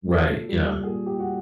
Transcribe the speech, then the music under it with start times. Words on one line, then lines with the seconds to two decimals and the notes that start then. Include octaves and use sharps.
Right, yeah.
0.13 A#2 A4
0.49 G3
0.83 A#2 G#4
1.06 G4
1.19 G3 F#4